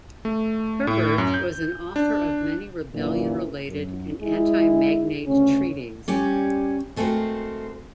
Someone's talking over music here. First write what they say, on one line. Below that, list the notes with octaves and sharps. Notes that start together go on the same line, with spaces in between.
Herburt was an author of many rebellion-related and anti-magnate treaties.
A3
A2
F#2
G6
D4
F#2 A#2 D3 E3
F#2
G#3 E4 G#4
D2 C#3 C#4
G3 C#4 G4 C#5 D5
G#3 A3 C4 F#4 A#4 C5